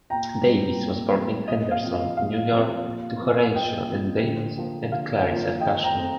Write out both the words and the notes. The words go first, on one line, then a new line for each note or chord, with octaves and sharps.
Davis was born in Henderson, New York to Horatio N. Davis and Clarissa Cushman.
A#2 G5 A#5
G3 C4
A#2
G3 C4
A#2 D#5
F5
F3 C4
D#5
A#2 F5
F3 C4
A#2
F3 C4
A#2 D#5 G5
F3 C4
D3
F3 A#3
D3 F5
F3 A#3
D#3 D#5 G5
G5 A#5
A3 C4